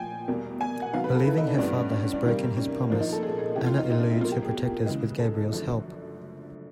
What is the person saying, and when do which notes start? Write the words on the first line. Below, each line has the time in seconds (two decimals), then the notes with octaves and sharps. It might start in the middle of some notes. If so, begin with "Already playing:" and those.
Believing her father has broken his promise, Anna eludes her protectors with Gabrielle's help.
Already playing: A#2 F3 G5 G#5
0.28 E2 B2 G3 A#3
0.61 G#5
0.82 F#5
0.93 C3 D#3 F#3 B3 F5
1.04 B4
1.15 A4
1.27 E4
1.38 D#4
1.47 D4
1.53 C#4
1.58 G2 E3 G3 B3 D4
1.75 C#4
1.92 D4
2.02 C#4
2.13 D4
2.25 C3 D#3 G3 A#3
2.57 C#4
2.90 A#2 F3 A#3 D4
3.01 D#4
3.12 A4
3.23 G#4
3.39 G#4
3.56 C3 E3 A3 G4
3.66 F4
3.78 D#4
3.91 D#4
3.99 D4
4.11 E4
4.20 B2 F#3 A#3 F4
4.32 G4
4.43 G#4
4.86 C#3 E3 G#3
5.19 A4
5.51 F#2 D3 F3 A3